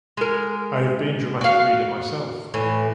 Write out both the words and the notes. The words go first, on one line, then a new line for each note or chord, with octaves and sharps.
I have been dramatic reader myself.
G#3 A#4
F#4 F5
A2 E3